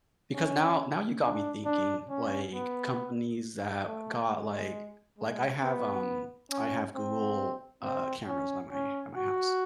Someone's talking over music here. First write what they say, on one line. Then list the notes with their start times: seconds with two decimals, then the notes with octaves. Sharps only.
because now now you got me thinking, like, companies that got like like, I have, um, I have Google, uh, cameras at my at my house,
0.32 C#4
1.21 D4
1.65 D4
2.09 C#4
2.53 B3
3.86 A3
4.30 G#3
5.18 G#3
5.63 B3
6.51 C#4
6.95 C4
7.83 C4
8.27 C#4
8.72 C#4
9.16 F#4